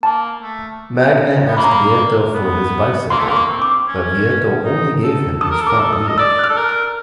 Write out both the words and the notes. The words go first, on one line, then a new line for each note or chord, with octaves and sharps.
Magne asked Vietto for his bicycle, but Vietto only gave him his front wheel.
A#3 A5
A3
B3
A#3 B5
A#5
B5
B3
A#3 C6
A3
A#3 C6
C#6
C4
D6
C#4
D#4
A4
A4 D#6
A#4
A4
A#4 D6
A4
D#6
D#5
D5 E6
F#6
F6
A4
A#4 F#6
F6